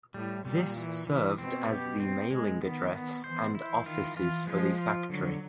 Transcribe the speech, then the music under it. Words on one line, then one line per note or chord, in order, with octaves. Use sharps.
This served as the mailing address and offices for the factory.
A2 G3
A#2 G3
E3
E3
B2 C4
G4
C4
G#3
D#3 B3
B3
E3 C5
E4
D#3 F4
E3 F4
F3 G#3
F4
D3 F#3